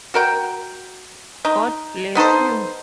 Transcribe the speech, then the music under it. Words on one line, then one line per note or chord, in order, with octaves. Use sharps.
God bless you.
F#4 A#4 G5
D#4
B3 D#4 A4 C5